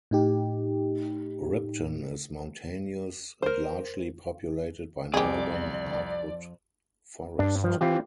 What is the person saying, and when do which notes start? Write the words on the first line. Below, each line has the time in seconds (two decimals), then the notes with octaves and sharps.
Ripton is mountainous and largely populated by northern hardwood forest.
0.11 A2 D#4 G4
3.42 A#4 C5
5.14 C2 F2 G4 G#4 D5
7.39 G2 D4
7.64 F3
7.81 E3 C4 F4 G4